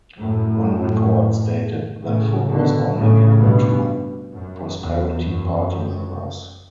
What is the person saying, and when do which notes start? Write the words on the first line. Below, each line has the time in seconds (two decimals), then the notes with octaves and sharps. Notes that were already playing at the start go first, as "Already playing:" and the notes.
One report stated that food was only given to Prosperity Party members.
0.19 F#2 A2
2.03 A2 C#3
2.49 B2 D3
2.95 A2 C#3
3.41 G2 B2
4.34 F#2
4.79 E2
5.25 F#2